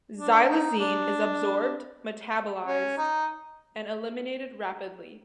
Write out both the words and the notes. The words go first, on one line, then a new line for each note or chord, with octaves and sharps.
Xylazine is absorbed, metabolized, and eliminated rapidly.
D4
D#4
D4
C#4
D#4